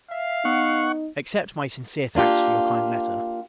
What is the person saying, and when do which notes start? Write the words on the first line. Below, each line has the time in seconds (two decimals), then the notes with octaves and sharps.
Accept my sincere thanks for your kind letter.
0.11 E5 F5
0.45 B3 D#4 F#5 C#6
2.15 A#3 D4 F4 G4